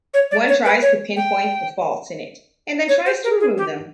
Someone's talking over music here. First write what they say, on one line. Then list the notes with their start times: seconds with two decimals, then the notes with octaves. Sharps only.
One tries to pin-point the faults in it and then tries to remove them.
0.14 C#5
0.31 D5
0.48 C#5
0.65 B4
0.82 C#5
1.16 G5
2.89 C#5
3.06 C5
3.24 A#4
3.40 G#4
3.58 G4